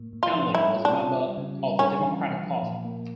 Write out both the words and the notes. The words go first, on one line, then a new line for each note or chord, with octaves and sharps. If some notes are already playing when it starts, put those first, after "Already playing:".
Kennelly was a member of the Democratic Party.
Already playing: A2 A#3
A2
F4
F3
G3 E4
F4
D4
F4
G3
C#3
G3
C#4 D4
E3
E3
F3
A#2
A#3